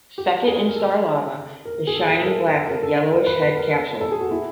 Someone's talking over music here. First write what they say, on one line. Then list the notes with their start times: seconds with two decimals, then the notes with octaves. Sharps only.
Second instar larva is shining black with yellowish head capsule.
0.18 G4
0.47 G#4
0.67 A#4
0.76 A4
1.65 A#4
1.87 G#4
1.95 A4
2.09 G#4
2.20 A4
2.24 A#4
2.53 A4
2.67 A#4
2.83 A4
3.12 A#4
3.27 B4
3.42 B4
3.57 A#4
3.72 A4
4.01 A4
4.11 G#4
4.20 F#4
4.31 E4